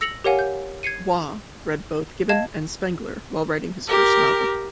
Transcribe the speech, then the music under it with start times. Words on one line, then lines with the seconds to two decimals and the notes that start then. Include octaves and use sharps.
Waugh read both Gibbon and Spengler while writing his first novel.
0.01 E6 A#6 C#7 F7 F#7
0.24 G4 A#4 C#5 F5 F#5 G#5
0.39 G6
0.83 G#6 C7 C#7 D#7
2.29 D#5 F5 A5 G#6 E7
3.88 G4 A#4